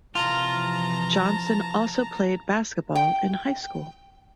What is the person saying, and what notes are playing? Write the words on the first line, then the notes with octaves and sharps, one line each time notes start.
Johnson also played basketball in high school.
C3 E3 F3 F4 A5 A#5
G5